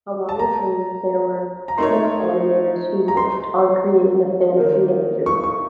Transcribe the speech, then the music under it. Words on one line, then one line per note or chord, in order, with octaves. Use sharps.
Along with Hayes, there were six animators who worked on creating the fantasy imagery.
A5
A#5
A#5
A3 D#4 A#4 C#5 C6
A#5
C6
D#3 A#3 D#4 A#4
C#6
C#6